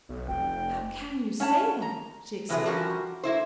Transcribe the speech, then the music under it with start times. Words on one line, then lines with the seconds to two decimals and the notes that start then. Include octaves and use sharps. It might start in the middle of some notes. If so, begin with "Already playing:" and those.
"How can you say that?" she exclaimed.
0.09 B1
0.28 F1 G5
1.40 C#4 C#5 F#5 A5
1.82 A#5
2.49 A2 C3 E3 F#3 A3 G#4
2.65 F3 G3 C#4 F#4 A#4
3.23 A#3 E4 C5